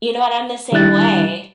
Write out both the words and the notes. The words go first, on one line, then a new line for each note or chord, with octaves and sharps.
You know what? I'm the same way.
D#3 G3 D4 E4 F#6 A6